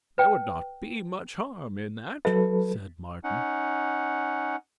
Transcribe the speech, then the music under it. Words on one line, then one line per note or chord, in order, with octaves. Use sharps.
"There would not be much harm in that," said Martin.
B4 G5
F#3 A4 B4 E5
C#4 D#4 F#5